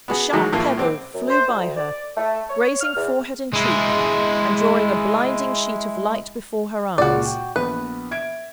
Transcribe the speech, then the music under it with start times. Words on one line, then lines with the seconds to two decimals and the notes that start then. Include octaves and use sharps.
A sharp pebble flew by her, grazing forehead and cheek, and drawing a blinding sheet of light before her eyes.
0.08 B3 F#4 G#4
0.33 D#3 E3 F#3 G#3 A3 F#4
0.52 A2 E3 A3 A#3 F4
0.78 A#1 C4 D6
1.13 F#2
1.29 C5
1.47 D2
1.76 D5
2.17 A3
2.49 C#5
2.81 F6
2.96 E2
3.53 G#3 E4
6.98 C#2 A#2 G#3 F#4 D5
7.26 G5
7.56 A#1 B3 B4
8.11 E5 G#6 D7